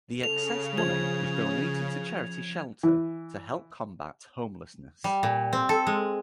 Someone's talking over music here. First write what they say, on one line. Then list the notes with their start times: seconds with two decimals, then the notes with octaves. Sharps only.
The excess money was donated to charity Shelter to help combat homelessness.
0.23 C#3 A4 F7
0.77 F3 G#4 G#6 F7
2.83 E3
5.04 G3
5.23 A#2
5.53 C4
5.69 A4
5.87 G#3